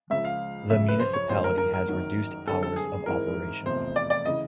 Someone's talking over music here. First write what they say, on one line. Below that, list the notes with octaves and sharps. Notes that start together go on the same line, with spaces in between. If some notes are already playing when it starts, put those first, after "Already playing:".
The municipality has reduced hours of operation.
C#2 C#3 F3 E5
F5
F#2 C#3 F3 E5
B4
C5
C#5
A1 G2 D3 F#3 C5
A#4
A#4
A#4
F#1 F#2 D#3 F#3
F#2 D3 G3 C4 A4
A4
G#4
G#2 E3 G#3 C4 E4 A#4
F1 E2 C3 F3 C5
D5
D5
C#3 E3 D#5